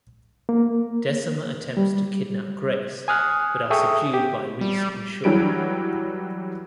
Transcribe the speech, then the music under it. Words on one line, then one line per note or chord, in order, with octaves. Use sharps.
Decima attempts to kidnap Grace but are subdued by Reese and Shaw.
A#3
G3
G#5 D#6 F6 F#6
G#4 A4 E5 G5 C#6 D#6
G4
G3
E3 F#3 G3 D7